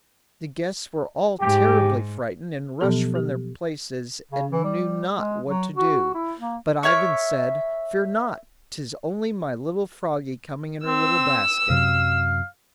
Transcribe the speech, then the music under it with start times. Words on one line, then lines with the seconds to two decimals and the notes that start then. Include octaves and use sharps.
The guests were all terribly frightened and rushed from their places, and knew not what to do; but Ivan said: "Fear not, 'tis only my little Froggy coming in her little basket!"
1.40 G#2 G4
2.81 B2 F3 F#3 B3 G4 A4
3.15 G4
4.31 C#3
4.51 E3
4.64 G3
5.14 G#3
5.46 F#3
5.76 F#4
6.15 E4
6.39 A#3
6.83 A#4 C#5 E5 C#6
10.86 C4 E6
11.70 F#2 C3 F#3 F5